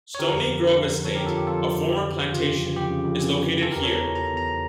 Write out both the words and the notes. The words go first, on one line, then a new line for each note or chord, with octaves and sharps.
Stoney Grove Estate, a former plantation, is located here.
C#5
D3 G4 A#4
F2
F2
D3
D3
F2
F2 A4 C#5
G4 A#4
D3
F4 A4
D3 G4
F2 F4 A4
F2
D3
F2 G4
E3
F2
C#3 F4
F2
E3
F2 G4
C#3
F2
E3
F2
C#3
E3 F4 A4
G4 A#4
E2
A4 C#5
E2 A#5
E3
E3 A#5
E2 A#5